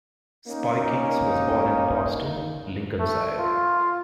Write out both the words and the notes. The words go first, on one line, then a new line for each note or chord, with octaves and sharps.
Spikings was born in Boston, Lincolnshire.
A#3 C#4 D#4
A3
F4